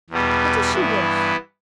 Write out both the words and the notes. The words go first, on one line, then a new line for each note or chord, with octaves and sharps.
What does she wish?
E2 B2 G3 B3
G2 E3 B3 E4